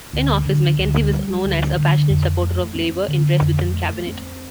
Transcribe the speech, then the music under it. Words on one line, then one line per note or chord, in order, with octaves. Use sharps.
In office, Mackenzie was known as a passionate supporter of labour interests within cabinet.
D2
D3
D2
G3
D2
D3
F2
A3
C4
D3
F2
A3
C4